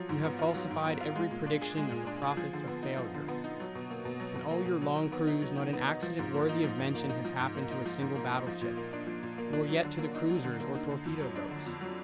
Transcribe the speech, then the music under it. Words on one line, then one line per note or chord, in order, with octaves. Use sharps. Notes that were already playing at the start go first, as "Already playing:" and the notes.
You have falsified every prediction of the prophets of failure. In all your long cruise not an accident worthy of mention has happened to a single battleship, nor yet to the cruisers or torpedo boats.
Already playing: F3 F#3
G#2
B3
F4
F#3
G#2
B3
F4
G#3
A#2
D4
G#4
G#3
A#2
D4
G#4
F3
D3
B3
D#4
F3
D3
B3
D#4
F#3
B2
A#3
B2
F#3
B2
A#3
B2
F#3
D#3
B3
D#4
F#3
D#3
B3
D#4
F3
G#2
A#3
D#4
F3
G#2
A#3
D#4
F3
G#2
A#3
D#4
F3
G#2
A#3
D#4
F3
A#2
A#3
D4
F3
A#2
A#3
D4
F#3
D3
A#3
D#4
F#3
D3
A#3
D#4
D3
F2
F#3
D4
D3
F2
F#3